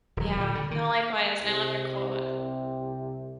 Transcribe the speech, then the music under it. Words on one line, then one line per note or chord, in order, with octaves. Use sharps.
Yeah, no, likewise, and I love your quote.
D#1 F#3
A#2 D3
D3
D#3
C2 C3